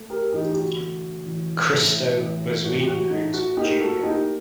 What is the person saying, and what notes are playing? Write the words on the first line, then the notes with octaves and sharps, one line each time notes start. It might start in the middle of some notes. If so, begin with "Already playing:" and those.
Christo Bezuidenhout Jnr.
Already playing: A3
G4 A#4
A1 D#4 G4
G4
F#4
A3
A1
A2
A1
A2 F#4
G4
F#4
A3 D#4
F#4
A#3 D#4 G4
F#4 A4
A#3 D#4 G4